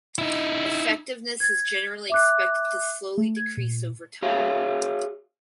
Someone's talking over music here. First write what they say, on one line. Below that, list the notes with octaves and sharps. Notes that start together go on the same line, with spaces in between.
Effectiveness is generally expected to slowly decrease over time.
D#4 E4
G#6 A6
E5 D6 F#6
A3
G#6
A#2
F#4 G#4 C5 C#5 E5 F5